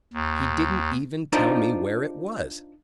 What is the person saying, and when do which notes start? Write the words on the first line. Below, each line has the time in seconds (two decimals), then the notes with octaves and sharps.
He didn't even tell me where it was!
0.14 D#2
1.32 D4 D#4 F4 A#4 C5 D5